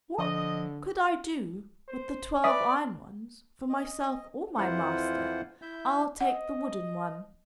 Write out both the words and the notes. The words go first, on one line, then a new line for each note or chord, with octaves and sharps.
"What could I do with the twelve iron ones for myself or my master? I'll take the wooden one."
D3 F3 D#5
C5
B4 D5 E5 D#6
D#5
F2 E3 E4 F4 C5 F#5
E4 E5 G6
D#5 F#5